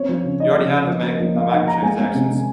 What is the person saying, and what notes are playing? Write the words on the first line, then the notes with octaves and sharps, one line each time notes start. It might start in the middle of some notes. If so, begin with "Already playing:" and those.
you already have the meg the microtransactions,
Already playing: C4 C#5
F3
C#3
D#4 D#5
F3
C#3
F3
A#3
F3
A#3 F5
D#4 F#5
D#4 A#5
G#3 G#5
G#3
C3
C3